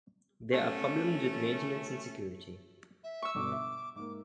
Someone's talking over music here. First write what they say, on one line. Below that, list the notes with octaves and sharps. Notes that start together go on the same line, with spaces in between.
There are problems with maintenance and security.
A3 C#4
E5
C#6 E6
G1 G2 B2 D6
E5
G#2 A#3 D6